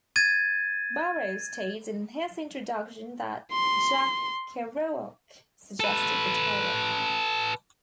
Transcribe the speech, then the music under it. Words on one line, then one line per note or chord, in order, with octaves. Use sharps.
Burroughs states in his introduction that Jack Kerouac suggested the title.
G#6 A6 D#7
C6
A4 B4